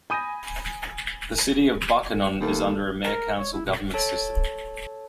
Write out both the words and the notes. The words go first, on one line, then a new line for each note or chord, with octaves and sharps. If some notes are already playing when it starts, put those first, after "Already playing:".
The City of Buckhannon is under a Mayor-council government system.
G#5 B5 D#6 G6 A#6 D#7
D#2 D#3 A3
A#4
C#5
E4
B2
A4 C#5 A5